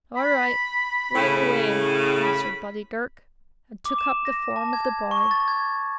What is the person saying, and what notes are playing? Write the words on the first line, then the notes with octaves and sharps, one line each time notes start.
"All right, light the way," answered Buddy Girk, and took up the form of the boy.
B5
A2 C#3
B5
D6
E7
A#6
A5
G#6
C#6
A6
G#6